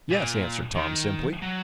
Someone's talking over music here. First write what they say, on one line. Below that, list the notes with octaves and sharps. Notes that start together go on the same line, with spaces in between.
"Yes," answered Tom, simply.
A#2
D#3
F#3